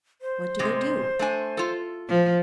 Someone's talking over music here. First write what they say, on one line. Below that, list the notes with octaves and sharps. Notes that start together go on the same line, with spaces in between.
"What do they do?"
C5
G#2 C3 G#3
A3 D4 G#5
F4 A4
F3